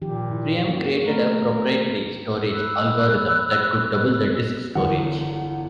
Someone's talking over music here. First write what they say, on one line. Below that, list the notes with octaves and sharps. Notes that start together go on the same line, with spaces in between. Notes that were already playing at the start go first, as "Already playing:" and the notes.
Priam created a proprietary storage algorithm that could double the disk storage.
A#2 D#3 F3 G4
G2 E4
A#3 C#4 F#4
A3 A#4 B4
B5 E6 F#6
G1 E2 F#5